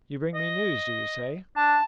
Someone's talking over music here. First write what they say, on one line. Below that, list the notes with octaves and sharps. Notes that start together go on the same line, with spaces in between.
"You bring me news, do you say?"
D#5
D4 A5